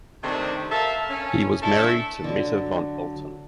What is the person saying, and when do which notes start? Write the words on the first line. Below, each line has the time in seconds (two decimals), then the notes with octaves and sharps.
He was married to Metta von Alten.
0.22 C3 D#3 A3 C4 D4
0.71 A4 A#4 E5 F5 A5
1.10 C#4
1.61 A3 D4 E4 A4
2.24 D3 F#3